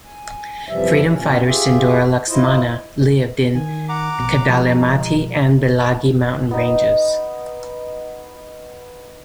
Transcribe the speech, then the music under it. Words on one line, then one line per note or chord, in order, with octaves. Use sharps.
Freedom fighter Sindhoora Laxmana lived in Kadalimatti and Bilagi mountain ranges.
G#5
F#2 C3 E3 F3 G3 E5
A#2 C#4
F4 G4 G#4 E5
E4 F4 C5 D#5
D#3 G#5
F#5 A#5 D6
A#1 B2
B2 F3 G#3 D#4
B3 D#4